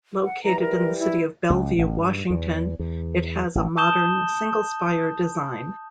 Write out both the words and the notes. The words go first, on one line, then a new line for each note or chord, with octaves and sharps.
Located in the city of Bellevue, Washington, it has a modern single-spire design.
F#5
E3 G3 A#5
A#4
E4
C#2
A1
G2
E2
E2
A1
A5 D#6 G6 E7 G7